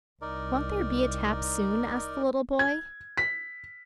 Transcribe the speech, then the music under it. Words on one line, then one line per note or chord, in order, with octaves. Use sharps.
"Won't there be a tap soon?" asked the little boy.
C2 D#4 A#4 D5
G#6
B6